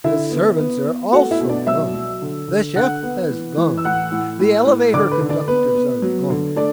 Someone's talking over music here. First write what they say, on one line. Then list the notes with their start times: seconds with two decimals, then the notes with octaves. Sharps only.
The servants are also gone; the chef has gone; the elevator conductors are gone.
0.04 D3 E4 E5
0.31 B3
0.58 B3
0.86 B3
1.13 A3 F#4 F#5
1.31 E4 E5
1.40 B2
1.49 D4 D5
1.67 F#3 E5 E6
1.94 F#3
2.22 D3
2.48 D3
2.76 D3 F#5 F#6
3.03 B3
3.30 E3
3.57 E3
3.77 E6
3.85 A2 F#5 F#6
4.12 A2
4.39 A2
4.66 A2
4.94 D3 D5 D6
5.11 B4
5.21 D3
5.29 D4 D5
5.48 B3 B4
5.75 B3
6.02 F#3
6.30 D3
6.56 A3 D4 D5